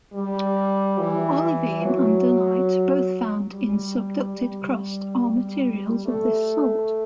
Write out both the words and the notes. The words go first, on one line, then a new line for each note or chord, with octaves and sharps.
Olivine and dunite, both found in subducted crust, are materials of this sort.
G3
E3
F#3
G3
G3
G3
A3